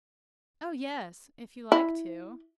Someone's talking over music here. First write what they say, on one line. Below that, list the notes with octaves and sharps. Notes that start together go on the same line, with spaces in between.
"Oh yes; if you like to."
E4